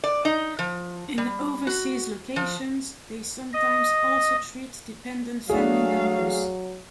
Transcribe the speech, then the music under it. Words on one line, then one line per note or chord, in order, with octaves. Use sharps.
In overseas locations, they sometimes also treat dependent family members.
D5
D#4
F3
G3
F#4
F3
D#5
F#3 A3 D4 G#4 F5